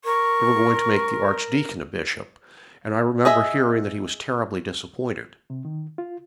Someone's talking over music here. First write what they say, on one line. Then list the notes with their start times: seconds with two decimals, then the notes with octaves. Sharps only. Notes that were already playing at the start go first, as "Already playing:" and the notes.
They were going to make the archdeacon a bishop, and I remember hearing that he was terribly disappointed.
0.05 A#4 C#6
3.25 G#4 D#5 E5
5.50 C3
5.65 D#3
5.98 F4